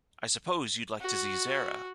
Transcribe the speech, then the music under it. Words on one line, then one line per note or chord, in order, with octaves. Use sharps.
I suppose you’d like to see Zara.
F#4